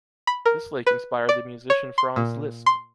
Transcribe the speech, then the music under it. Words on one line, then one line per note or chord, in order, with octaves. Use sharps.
This lake inspired the musician Franz Liszt.
B5
A#4
B4
D5
C#5
C6
A#2
C6